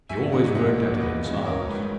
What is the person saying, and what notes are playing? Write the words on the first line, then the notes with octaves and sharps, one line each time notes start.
He always worked at it in silence.
A#1 E5 G#5
A#2 D#5 F#5
A#1 D#5 F#5
A#2
F#1 B4 D#5
F#2 C#3 E3
G#1 A#4 C#5
G#2 D#3 B4
B4